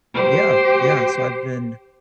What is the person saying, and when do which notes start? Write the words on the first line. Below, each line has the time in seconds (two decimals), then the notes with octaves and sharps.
Yeah, yeah, so I've been
0.14 G4 C5